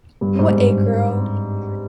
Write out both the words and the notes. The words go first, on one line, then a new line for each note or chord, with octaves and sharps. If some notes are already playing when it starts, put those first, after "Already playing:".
What a Girl!
G2
G#2
G2